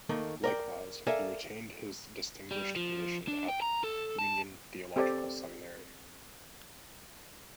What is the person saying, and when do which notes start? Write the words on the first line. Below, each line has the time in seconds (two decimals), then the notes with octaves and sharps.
Likewise he retained his distinguished position at Union Theological Seminary.
0.09 D#3 A3 A#3
0.44 A#4 D5 G5
1.07 A4 A#4 D5 E5 F5 G#5
2.51 G3
2.76 F3
3.28 D4
3.48 G5
3.62 A#5
3.84 A4
4.19 A5
4.96 C4 G4 A4 D5